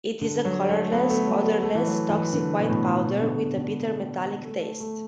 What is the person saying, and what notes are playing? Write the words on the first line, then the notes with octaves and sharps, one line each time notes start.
It is a colorless, odorless, toxic white powder with a bitter metallic taste.
D3
F#3
A3
B3
A3
F#3
A3
A3
E3
F#3
E3
D3
B2
A2
B2
D3
B2
D3
A3
A3